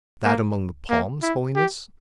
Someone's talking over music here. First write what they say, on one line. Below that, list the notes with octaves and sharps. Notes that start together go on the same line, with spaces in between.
"That among the palms, Holiness?"
A#3
A#3
E4
G4